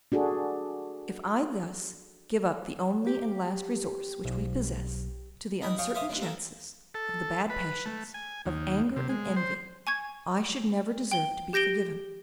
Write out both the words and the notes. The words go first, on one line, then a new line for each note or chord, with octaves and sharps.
If I thus give up the only and last resource which we possess to the uncertain chances of the bad passions of anger and envy, I should never deserve to be forgiven.
D4 F#4 G#4 A4
G4
B1
D#4 A#4 D#5 B5
C#5 D#5 F5 G5 G#5 C#6
C#5 E5 F5 C6 D6 D#6
D#2 G3 D4 F4
C4 A4 A#4
A4
B4
A3
G#5
D#2
C3
G#3
C5
G#5 C#6 G#6
G5 G7
G4 G6 A#6 D7 G7